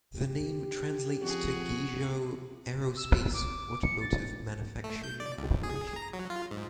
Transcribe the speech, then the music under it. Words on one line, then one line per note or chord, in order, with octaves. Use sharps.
The name translates to ‘Guizhou Aerospace Automotive Manufacturing Corporation.
G4
F2 F#4 G#4
E6
D6
C#7
A6
A3
G6
D5
C#2
G#4
A#5
F#3
F4
G#2